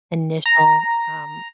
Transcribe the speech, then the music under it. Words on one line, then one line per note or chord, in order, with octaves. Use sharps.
initial, um,
A#5